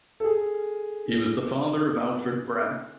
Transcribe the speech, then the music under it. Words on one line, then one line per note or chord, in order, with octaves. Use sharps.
He was the father of Alfred Brehm.
A4
G#4